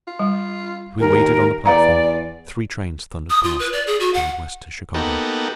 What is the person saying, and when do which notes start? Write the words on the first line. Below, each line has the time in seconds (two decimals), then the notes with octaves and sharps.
As we waited on the platform, three trains thundered past, bound west to Chicago.
0.08 F4
0.19 G3
1.00 D#2 A#4
1.66 E2 B4 D5 F5 A#5
3.30 D#6
3.44 F4
3.60 B4
3.73 D5
3.87 G#4
4.00 F#4
4.14 F#5
4.94 A#3 B3 D#4 F#4 G4 A4